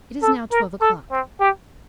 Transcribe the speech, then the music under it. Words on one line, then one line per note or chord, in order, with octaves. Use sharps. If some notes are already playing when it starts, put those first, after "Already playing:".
"It is now twelve o'clock."
A4
A#4
A4
C4
G4